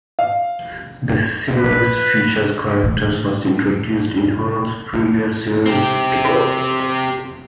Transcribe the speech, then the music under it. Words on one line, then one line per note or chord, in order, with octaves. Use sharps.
The series features characters first introduced in Horrocks' previous series, "Pickle".
F5
B4
A2 E3
C4 G4